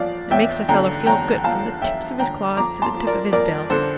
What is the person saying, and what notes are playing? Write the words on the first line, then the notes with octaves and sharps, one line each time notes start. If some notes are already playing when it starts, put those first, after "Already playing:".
It makes a fellow feel good from the tips of his claws to the tip of his bill.
Already playing: E2 F3 D5 F5
E2 E5 G5
D3 G5 A#5
E2 G5 A#5
F3 F5 A5
E2 E5 G5
D3 G5 A#5
F2 A#5 D6
A5 C6
F3
A#4 D5
F2 A#4 D5
D3 A4 C5